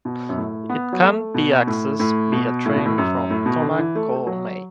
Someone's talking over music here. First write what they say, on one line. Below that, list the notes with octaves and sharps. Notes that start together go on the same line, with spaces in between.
It can be accessed via train from Tomakomai.
B2
F#2
A2
B3
F#3
A3
B2
A2
A2
B2
A2
B2
A2
F#2
A2
B2
D3
E3
A3
A3
F#3